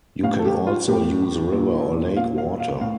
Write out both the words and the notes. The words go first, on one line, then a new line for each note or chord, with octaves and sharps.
You can also use river or lake water.
A2 F5
A4
G4
F4
A2 G4
A#2
A#2 F5
F5
F5
A2 F5